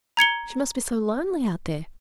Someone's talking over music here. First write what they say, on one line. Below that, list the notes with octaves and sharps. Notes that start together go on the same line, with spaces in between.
She must be so lonely out there.
A#5 G#6 C#7 G7